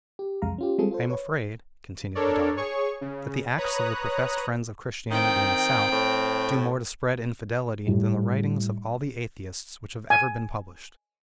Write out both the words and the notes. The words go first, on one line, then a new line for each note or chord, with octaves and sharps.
I am afraid," continued the daughter, "that the acts of the professed friends of Christianity in the South do more to spread infidelity than the writings of all the atheists which have ever been published.
G4
C2 F2 G#3 F5 A#5
C#4 F4 G4
G3 G#3 C4 F4 G#4 A4
F4 A4 C5
B4 C#5
D4 A4 A#4 C#5 D5
G#4 C#5 C#6
C#3
B4 C#5 A#5 D#6 F#6
D#3 C4 G5
A2
A2 G3
G#5